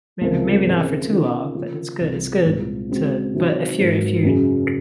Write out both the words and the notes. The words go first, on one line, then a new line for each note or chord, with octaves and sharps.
maybe maybe not for too long, but it's good it's good to but if you're if you're I
C#2 C3 F3 A#3
C3 F3 A#3 C#4 G#4
D#3 A#3 C#4 F4
C#3 F3 A#3 F4
C2 C3 F3 C4
C2 A#2 G#3 C4 F4
C#3 G#3 C4 F#4
C3 D#3 F#3 C4
G#2 F#3 A#3
F#2 C#3 F#3 C#4 G#4